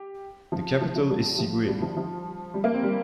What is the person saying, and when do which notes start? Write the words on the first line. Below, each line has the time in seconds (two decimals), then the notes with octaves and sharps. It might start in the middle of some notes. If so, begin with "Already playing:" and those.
The capital is Siguiri.
Already playing: G4
0.52 F3
0.81 F3
0.96 F3
1.10 G3
1.39 F3
1.68 G3
1.82 F3
1.97 F3
2.54 G3
2.64 A#3
2.74 C4
2.83 G3